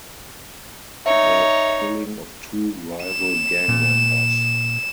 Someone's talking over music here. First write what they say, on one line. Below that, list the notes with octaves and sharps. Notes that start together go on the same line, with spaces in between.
The killing of two rival gang members.
D#4 C#5 E5
E7
A#2